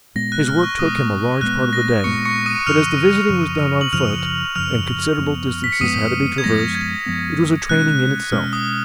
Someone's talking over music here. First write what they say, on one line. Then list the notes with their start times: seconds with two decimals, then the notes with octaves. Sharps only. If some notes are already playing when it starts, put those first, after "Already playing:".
His work took him a large part of the day, but as the visiting was done on foot, and considerable distances had to be traversed, it was a training in itself.
0.15 A#2 G#3 B3 A#6
0.32 F#6
0.48 F6
0.63 C#6
0.79 A#2 G#3 B3 D#6
1.41 A#2 G#3 B3 F#6
1.73 A#6
2.04 A#2 G#3 B3 C#6 C#7
2.25 C#6 C#7
2.46 D#6 D#7
2.66 F#2 C#3 F3 F6 F7
3.29 F#2 C#3 F3
3.81 F#7
3.93 F#2 C#3 F3 F6 F7
4.55 F#2 C#3 F3 F6 F7
5.18 F#2 F3 G#3 B3
5.64 B6
5.72 C#7
5.81 F#2 F3 G#3 B3 D#6 D#7
6.38 G#6
6.44 F#2 F3 G#3 B3 A#6
6.75 G#6
7.06 F#2 F3 G#3 B3
7.69 B2 G#3 C#4 F#6
8.32 B2 G#3 C#4 F6
8.53 D#6